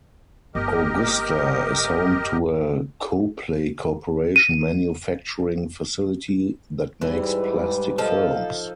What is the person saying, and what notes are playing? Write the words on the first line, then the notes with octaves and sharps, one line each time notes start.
Augusta is home to a Clopay Corporation manufacturing facility that makes plastic films.
G1 G4 A#4 D#5
D#7
G#2 E3 G3 B4
F3 D#4 A4